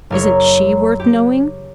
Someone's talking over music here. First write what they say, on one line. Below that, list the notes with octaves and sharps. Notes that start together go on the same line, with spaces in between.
Isn't she worth knowing?
F#1 A#4 C#5
G4